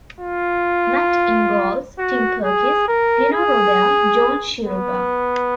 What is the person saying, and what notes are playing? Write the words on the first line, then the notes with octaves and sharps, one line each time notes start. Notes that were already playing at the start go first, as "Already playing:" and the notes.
Matt Ingalls, Tim Perkis, Gino Robair, John Shiurba.
F4
F#4
G#4
A#4
G#4
B3